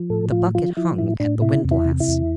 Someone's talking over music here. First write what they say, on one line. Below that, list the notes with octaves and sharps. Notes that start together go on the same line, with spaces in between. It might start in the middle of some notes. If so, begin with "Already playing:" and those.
The bucket hung at the windlass.
Already playing: F3
A2 A4
F3 F4
F3 F4
F3 E4
A2 E4
A2 D4
C3 E4
E2
E4
C3
E4
E2